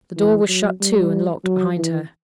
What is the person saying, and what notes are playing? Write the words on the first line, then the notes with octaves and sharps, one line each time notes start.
The door was shut to and locked behind her.
E3
F#3
G3
F#3
E3